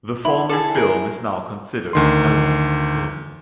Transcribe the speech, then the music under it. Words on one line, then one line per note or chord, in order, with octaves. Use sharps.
The former film is now considered a lost film.
E4 B5 C6
G#4 A4
G#4 A#4
D2 D#3 C6